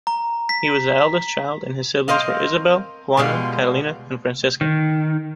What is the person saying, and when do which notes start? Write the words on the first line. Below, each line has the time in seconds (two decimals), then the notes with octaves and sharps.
He was the eldest child and his siblings were Isabel, Juana, Catalina and Francisca.
0.07 A#5
0.49 B6
2.08 C4 A#4 D#5 F5
3.17 B2 G3 G#3 F4
4.61 D#3